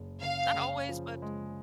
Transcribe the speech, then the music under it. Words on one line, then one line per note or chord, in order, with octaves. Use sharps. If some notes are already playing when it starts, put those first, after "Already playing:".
not always, but
Already playing: F#1
C#3 F5
C#3
F3
G#3